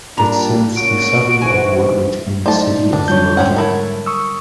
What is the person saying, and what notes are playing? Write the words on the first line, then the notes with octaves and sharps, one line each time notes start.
It serves the suburb of Woodridge in the City of Logan.
A#2 G3 D4 A#5
A#2 C#3 F#4 D7
G#2 E3 C5 G#5
F#3 A3 D#4 E4 A4 C5 D5 A5
D3 D4
F#3 G3 F4 C#5 G6
G#2 C4 C#4 F#5
A3 E4 A#4 C#5
C#6 D#6 E6